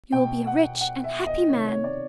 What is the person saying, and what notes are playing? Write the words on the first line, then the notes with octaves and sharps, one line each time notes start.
You will be a rich and happy man!
B2 G5
F#5
F#5
E5
D#5
C3 D#3 C#5
C#5
D5